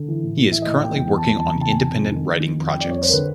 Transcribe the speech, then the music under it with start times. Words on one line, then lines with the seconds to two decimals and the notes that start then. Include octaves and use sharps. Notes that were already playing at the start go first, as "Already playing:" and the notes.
He is currently working on independent writing projects.
Already playing: D3
0.08 E3
0.23 A2
0.37 A2
0.51 E3 E5
0.62 A2 D#5
0.80 A2 G5
0.96 E2 G5
1.10 E2
1.17 A5
1.25 E3
1.38 E2 A5
1.50 C#3 A#5
1.61 A5
1.69 E2 G#5
1.82 C3
1.97 F2
2.12 D#3
2.27 D#3
2.40 D#3
2.56 F2
2.69 F2 G5
2.81 F2 D5
2.91 C#5
2.99 F2 C5
3.09 A#4
3.13 D3 B4